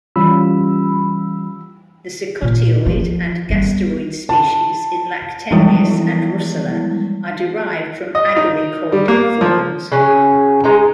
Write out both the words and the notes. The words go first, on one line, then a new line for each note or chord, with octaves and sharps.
The "secotioid" and "gasteroid" species in "Lactarius" and "Russula" are derived from agaricoid forms.
E3 G3 C#4 F4 B5 E6
A#2
F3
G3 B3
A5
E3 F3 G3 G#3 B3 E4
D#5
D#4
G3
A#3
F3
C#3 F#3 C#4
G#3 D#4 A#5